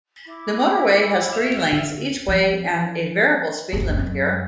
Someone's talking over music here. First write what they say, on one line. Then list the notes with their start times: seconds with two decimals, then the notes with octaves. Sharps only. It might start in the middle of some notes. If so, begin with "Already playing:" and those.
The motorway has three lanes each way and a variable speed limit here.
0.25 E4 D6
1.32 F#4 E5 F5
1.73 D3
2.28 F3
3.73 F#1 C#2
3.99 F#2